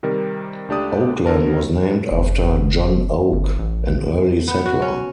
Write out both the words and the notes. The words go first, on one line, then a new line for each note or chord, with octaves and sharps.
Oakland was named after John Oak, an early settler.
C3 D#3 G3 A#4
C#2 A3 D4 G4 D5 D#6
D3 B3 A#4 A5
F#1
G1
A1
B3
F#4
C#4